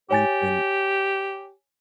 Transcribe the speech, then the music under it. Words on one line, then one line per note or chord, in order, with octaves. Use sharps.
we've been
G4 C#5 G#5 A6